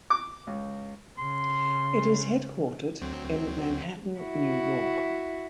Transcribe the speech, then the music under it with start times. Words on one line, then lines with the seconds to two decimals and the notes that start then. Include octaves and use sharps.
It is headquartered in Manhattan, New York.
0.10 D6
0.47 C#2
1.17 C#3 C6
3.02 D2 F#3 C4
4.19 E4 F#4